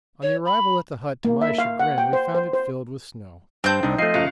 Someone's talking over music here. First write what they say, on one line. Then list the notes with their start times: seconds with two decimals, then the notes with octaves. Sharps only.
On the arrival at the hut to my chagrin we found it filled with snow.
0.22 C#5
0.45 B5
1.25 A#3
1.42 E5
1.58 F5
1.79 F#5
1.98 G5
2.13 C5
2.35 C5
2.53 C5
3.64 G2 C4 C5 A5 G6
3.83 C2 D4 D#4
3.98 F3 A3 D#5 C7
4.14 F#1 F4